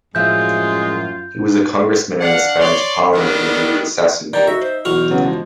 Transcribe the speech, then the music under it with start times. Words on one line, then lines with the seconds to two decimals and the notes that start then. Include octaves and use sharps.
He was a congressman in the Spanish Parliament when he was assassinated.
0.15 F#2 A2 F3 G#3 F4 E5 G6
2.21 D4 D5 F5 F#5
2.58 C#5 D5 C6
3.13 D3 D#3 F#3 G3 B3 D4
4.33 D#3 G3 D5 A#5 G6
4.47 D#4 F#4 E5
4.61 C5
4.85 B1 E2 F#4 F6
5.10 C#3 F#3 B3
5.24 F3 G#3